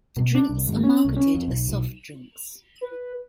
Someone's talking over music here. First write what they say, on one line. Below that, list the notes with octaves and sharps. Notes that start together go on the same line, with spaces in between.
The drinks are marketed as soft drinks.
B2
D4
C2
G#1
C#4
C2
C#4
F2
B1
B1
B4